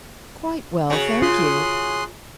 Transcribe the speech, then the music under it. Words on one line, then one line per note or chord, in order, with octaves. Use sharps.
"Quite well, thank you."
C#3 F#4
F4 C6 D#6 F#6